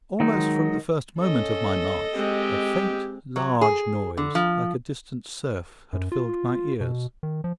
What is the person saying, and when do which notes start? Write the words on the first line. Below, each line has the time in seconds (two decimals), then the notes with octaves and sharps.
Almost from the first moment of my march, a faint large noise, like a distant surf, had filled my ears.
0.20 D#3 F#3 G#3 D#4
1.18 C#4 A4 D#5
2.15 G#3 C4 G4
3.36 F#3
3.61 G#4
4.17 D3
4.35 F3
5.93 F#2
6.12 F4
6.81 B2
7.23 D#3
7.44 F3